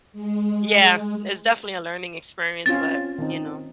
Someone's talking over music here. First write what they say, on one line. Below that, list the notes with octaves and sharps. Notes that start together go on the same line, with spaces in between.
Yeah, it's definitely a learning experience, but you know.
G#3
C4 C#4 F4 A6
D#3 C4 D#4